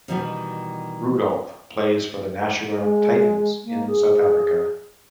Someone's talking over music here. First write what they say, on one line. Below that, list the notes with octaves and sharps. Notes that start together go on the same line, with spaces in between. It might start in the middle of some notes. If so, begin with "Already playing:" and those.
Rudolph plays for the Nashua Titans in South Africa.
B2 D#3 E3 G3 B3
G#3
A#3
G#4